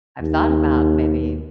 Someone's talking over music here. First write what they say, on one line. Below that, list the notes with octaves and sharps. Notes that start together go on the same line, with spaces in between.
I've thought about maybe
D#2